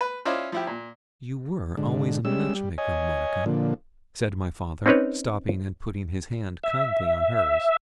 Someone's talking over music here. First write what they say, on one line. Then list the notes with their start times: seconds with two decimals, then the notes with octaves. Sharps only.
'You were always a match-maker, Monica,' said my father, stopping, and putting his hand kindly on hers.
0.01 B4
0.25 C#4 E4 F4 C5 D5 D#5
0.52 F3 E4 G4
0.67 A#2
1.77 G#2 D3
2.25 G3 G#3 C#4 E6
2.54 G3
2.78 C#5 D#5 G#5
3.46 A#2 D3 F3
4.86 C4 C#4 D#4 B4 C#5
6.64 E5